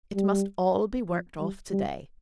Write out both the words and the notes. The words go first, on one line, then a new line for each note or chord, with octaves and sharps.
It must all be worked off to-day.
G3
F3
G3
G3